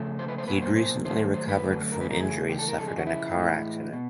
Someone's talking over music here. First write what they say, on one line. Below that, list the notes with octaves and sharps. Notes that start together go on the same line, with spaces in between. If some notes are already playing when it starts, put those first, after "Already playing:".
He had recently recovered from injuries suffered in a car accident.
Already playing: C#3 F3 A3
C5
B4
C5
B2 F#3 A#3 B4
C5
C5
D#3 F#3 A3 C5
C5
B4
D3 F#3 A3
A#4
B4
A#4
C#3 E3 A3 G#4
G4
A4
A#4
C#3 F3 G#3 A4
G#4
F#4
E4
A2 E3 G#3
B2